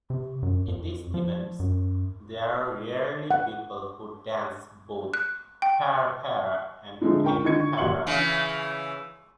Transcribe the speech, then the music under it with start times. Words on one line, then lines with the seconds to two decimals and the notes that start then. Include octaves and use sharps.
In these events, there are rarely people who dance both ParaPara and TechPara.
0.10 C3
0.43 F#2
0.68 F2
1.14 F3
1.60 F#2
3.31 F#5
5.14 F#6
5.62 G5
7.02 D3 F3 G#3 A3 D#4
7.23 C#2 A#4 G5 C#6
7.44 D3 D#3 D#5 G#6 C#7
7.60 C#6
7.78 D#1 F#4 G4 C6 C#7 F#7
8.07 C#3 E3